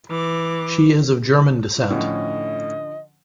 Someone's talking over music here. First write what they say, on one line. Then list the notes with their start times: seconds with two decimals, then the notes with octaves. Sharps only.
She is of German descent.
0.10 E3 D6
1.90 A2 D3 F3 C#4 D#5